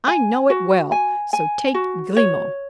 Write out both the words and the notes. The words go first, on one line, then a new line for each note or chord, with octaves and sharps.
"I know it well, so take Grimaud."
G#5
F#4
G#5
G#5
F#4
C#5